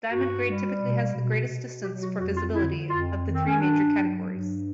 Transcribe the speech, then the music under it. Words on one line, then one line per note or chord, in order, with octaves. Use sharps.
Diamond grade typically has the greatest distance for visibility of the three major categories.
G2 F#4
G3
B2
B2
B2
F#3 G4
F#4
F2 F#4
F4
D3 E4
F2 F4
D#3
C4
C#4
G2 D4
F#3
G2